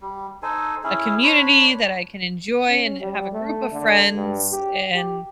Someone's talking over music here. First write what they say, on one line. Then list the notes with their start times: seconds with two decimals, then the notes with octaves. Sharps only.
a community that I can enjoy and have a group of friends and
0.02 G3
0.43 D#4 A4 C5 G#5
0.84 C#4 E4 G#4
1.24 D4 C5 C#5 B5
2.68 C#4
3.00 G3
3.33 A3
3.72 D3
4.15 G2
4.51 G4
4.95 G4